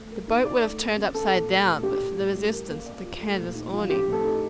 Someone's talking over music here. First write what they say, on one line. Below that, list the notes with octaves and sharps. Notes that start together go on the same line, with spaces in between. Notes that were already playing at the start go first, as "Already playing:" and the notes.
The boat would have turned upside down but for the resistance of the canvas awning.
Already playing: A3
A#4
D#4
D#4 D5
A3
A#4
C4
C4 A4
A#2
G4
A3
D4 G4
A2
A2
G3
A#4
A#3
D5
F4
A3
A#2
D#4
F3
C4 G4
A2
A4
D#4